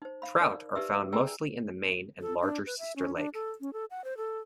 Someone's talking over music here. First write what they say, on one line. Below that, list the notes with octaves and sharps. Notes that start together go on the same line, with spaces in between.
Trout are found mostly in the main and larger sister lake.
D#4 C5
F5 B5
D#4 A#4 D5
D#4 G4 B4 D5 E5 E6
G#4 D5 G5 G#5 A#5 E6
A4
D4
B4
E5
C#4
D4
A4
C#4
A4
F#5
C5
A4